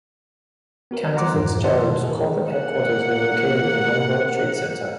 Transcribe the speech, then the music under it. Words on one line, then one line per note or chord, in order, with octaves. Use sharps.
Cantor Fitzgerald's corporate headquarters were located in One World Trade Center.
B3 F#4 A#4
F#5 A#5 C6 D6 F#6
E2 G2 A#2 D#3 F3
D5 E5 F#5 A5 C6
B2 D#3 A3
G#4 A#4
A#3 F#5